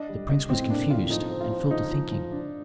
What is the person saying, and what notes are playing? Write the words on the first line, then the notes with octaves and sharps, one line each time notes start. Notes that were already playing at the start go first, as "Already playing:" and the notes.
The prince was confused and fell to thinking.
Already playing: D4 D#5
G3
D#5
A2 C4
A#3 D4
A2 F4
F3 D#4
C4
F4
F3
F3 D#4
F3
F3
D4